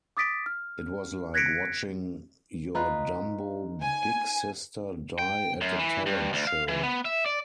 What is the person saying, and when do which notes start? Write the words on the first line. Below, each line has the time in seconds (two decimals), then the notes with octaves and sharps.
It was like watching your dumbo big sister die at a talent show.
0.17 D6 D#6 A6 B6 D7
0.46 F6
1.34 F#6 G#6 A#6 B6 C#7 D7
2.75 D#4 F4 B4
3.81 G#5
5.18 G5
5.61 F#2
5.79 E3
6.06 G2
6.33 D2
6.47 F5
6.68 E3
6.83 B3
7.05 E5
7.26 D5